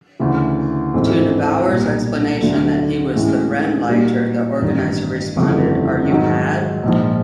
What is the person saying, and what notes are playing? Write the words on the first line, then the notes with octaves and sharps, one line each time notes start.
To Neubauer's explanation that he was the "Rennleiter", the organizer responded: 'Are you mad?
D2 C#3 E3
A1 G#2 E3 A3 C4
B1 A#2 G3
D2 D3 F#3 A3 D4
A2 E3 G#3 C#4
A#2 G3 A#3 D#4 F#4
A1 G2 D#3
G1 F2 C#3 E3 A3
G#2 D#3 F#3
A#1 G#2 F3